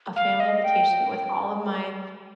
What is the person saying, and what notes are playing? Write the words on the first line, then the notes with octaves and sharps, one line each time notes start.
a family vacation with all of my
F5
D#5
G5